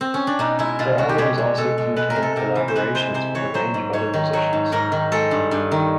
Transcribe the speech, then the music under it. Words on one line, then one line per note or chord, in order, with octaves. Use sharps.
Her albums also contain collaborations with a range of other musicians.
C4
C#4
D4
B2 D#4
G#3 E4
B2 F4
G#3 F#4
G4
B2 G#4
G#3
B2 A4
G#3
G#3 B4
A#4
C3
A4
C3 A#4
E3
C5
G#3 B4
C3 C5
C3 C5
E3 C#5
F#3 C5
G#2
G#2 C#5
D#3
F#3 C#5
G#2
G#2 A#4
D#3
G#3 A4
G2
G2
D#3